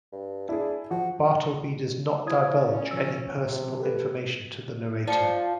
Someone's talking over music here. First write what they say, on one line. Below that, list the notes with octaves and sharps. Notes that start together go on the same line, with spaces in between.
Bartleby does not divulge any personal information to the narrator.
G2
D4 E4 G#4
F3 F#4
F3 E4 D#6 G#6
C#4 D5
B2 F3 E6
C3
G4 A4 B4
F3 D5 C#7